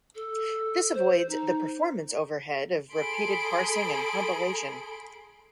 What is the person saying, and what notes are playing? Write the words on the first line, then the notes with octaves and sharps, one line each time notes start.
This avoids the performance overhead of repeated parsing and compilation.
A4
C5
D#4
G#4 A4 B5 C6 D7